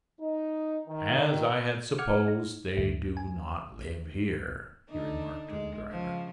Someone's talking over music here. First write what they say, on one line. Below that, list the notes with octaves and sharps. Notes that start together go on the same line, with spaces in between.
"As I had supposed, they do not live here," he remarked to the driver.
D#4
D#3
F#5 D6 F6 G#6 C#7
D#4
D2 A2
G#5
D3 D4 D#4
G#3
C#3 F3